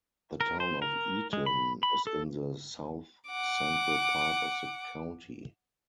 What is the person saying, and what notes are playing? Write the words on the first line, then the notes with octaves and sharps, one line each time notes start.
The Town of Eaton is in the south-central part of the county.
A#4
C5
A#4
G#3
B5
B5
A4
F#5 D6